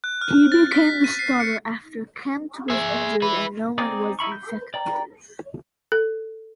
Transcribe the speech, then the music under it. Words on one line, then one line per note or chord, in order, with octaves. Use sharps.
He became the starter after Kempt was injured and Noland was ineffective.
F#6
F6
A6
B6
D#7
C7
C#7
G#4 E5
E4 B4
C4 D#4 G#4 D5
D#4 E4 B5 C#6
G6
D5 G5 A#5
A4